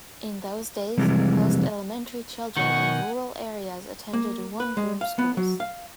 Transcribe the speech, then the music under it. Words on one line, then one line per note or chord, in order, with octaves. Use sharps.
In those days, most elementary children in rural areas attended one-room schools.
F2 C3 E3 G3 G#3
B2 D#3 F#5 G#5 C#6
A#3
B4
G#3
F5
B3
F#3
F5